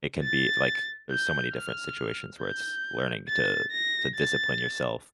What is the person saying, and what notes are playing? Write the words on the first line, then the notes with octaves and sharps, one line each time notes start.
It can be like, there's so many different situations where it's learning to to discipline yourself,
A6
G6
F6
G6
A6
A#6
A6